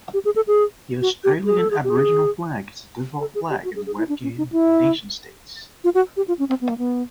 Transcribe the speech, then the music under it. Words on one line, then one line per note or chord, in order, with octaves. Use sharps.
The Australian Aboriginal Flag is the default flag in the web game "NationStates".
G4
G#4
A4
G#4
F#4
G4
G#4
A4
G#4
G4
G#4
A4
G#4
G4
F#4
G#4
G#4
E4
D4
C#4
D#4
E4
F4
F#4
G4
F4
C#4
C4
B3
A#3
B3